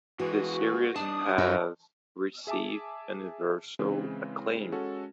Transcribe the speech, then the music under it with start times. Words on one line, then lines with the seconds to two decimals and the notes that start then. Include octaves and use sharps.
The series has received universal acclaim.
0.19 E2 E3 G#3 F#4
0.96 G3 D4 D#4 A5 D#6
1.38 F#2 D#4 E4 F#4
2.47 G#4 E5 G#5 A5 D6
3.79 C#3 E3 G#3 C4
4.72 G#3 C#4 F#4 A4